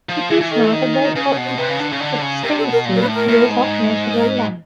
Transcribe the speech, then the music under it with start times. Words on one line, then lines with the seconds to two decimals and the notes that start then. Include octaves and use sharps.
It is notable for its extensive use of natural light.
0.09 F3
0.29 E3 G#4
0.41 E3
0.51 D#3 A4
0.63 E3
0.72 D#3
1.15 C#3 B4
1.30 C#5
1.37 B2
1.44 C5
1.58 C3 B4
1.69 C#3
1.79 D3
1.93 C#3
2.00 D3
2.22 C#3
2.43 C3 A#4
2.57 A4
2.64 B2
2.72 A#4
2.85 A#2
2.95 A#4
3.01 B4
3.07 A2
3.14 A#4
3.28 A2
3.49 G#2
4.13 A#4